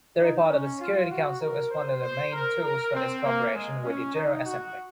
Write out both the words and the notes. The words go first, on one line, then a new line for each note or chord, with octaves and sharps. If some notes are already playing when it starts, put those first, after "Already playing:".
The report of the Security Council is one of the main tools for its cooperation with the General Assembly.
D#4
C#4
F4
F#4
A#4
C5
C5
A#4
A#4
C4
A#3
G#3
C#4
D#4
F#4